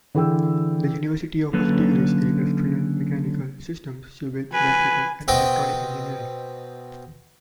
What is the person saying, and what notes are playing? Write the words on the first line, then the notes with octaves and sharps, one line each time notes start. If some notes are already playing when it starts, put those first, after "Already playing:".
The university offers degrees in industrial, mechanical, systems, civil, electrical and electronic engineering.
D3 E3 G#4 G5 E6
D3 F#3 A#3 C#4 A4 B4
B4 G#5
B2 C4 D#5 G5